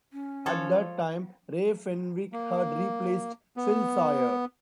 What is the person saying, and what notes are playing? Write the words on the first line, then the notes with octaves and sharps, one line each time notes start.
At that time Ray Fenwick had replaced Phil Sawyer.
C#4
F3 A4 C#5
A#3
B3